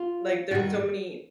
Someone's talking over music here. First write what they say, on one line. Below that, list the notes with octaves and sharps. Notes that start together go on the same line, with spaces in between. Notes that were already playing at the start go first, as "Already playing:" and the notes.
Like there's so many
Already playing: F4
G2 D#3 F#4